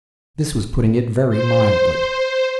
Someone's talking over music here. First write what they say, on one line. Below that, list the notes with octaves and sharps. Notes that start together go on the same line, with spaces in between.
This was putting it very mildly.
C5